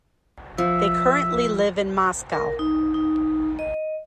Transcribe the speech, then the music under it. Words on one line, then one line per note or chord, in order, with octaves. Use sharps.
They currently live in Moscow.
F3 E5
A#4
D#4
D#4
D#5